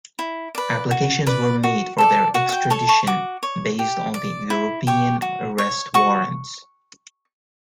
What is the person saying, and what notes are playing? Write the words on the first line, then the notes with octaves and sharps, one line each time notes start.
Applications were made for their extradition based on the European Arrest Warrants.
E4
B4 D5
F#4
B4 D5
F#4
A4 D5
F#4 F#5
F#5
G5
A4 C#5 A5
C#6
F#4 D6
C#5
G4
D5
E4
G4 C#5
F#4
C#5
F#4 C#6